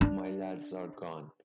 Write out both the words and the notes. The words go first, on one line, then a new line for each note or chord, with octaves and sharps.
My lads are gone.
D4